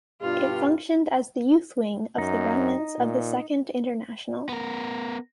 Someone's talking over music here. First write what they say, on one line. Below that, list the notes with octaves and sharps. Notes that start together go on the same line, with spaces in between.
It functioned as the youth wing of the remnants of the Second International.
G2 B2 F4 G4
F#2 D#4
A#2
B3 A#4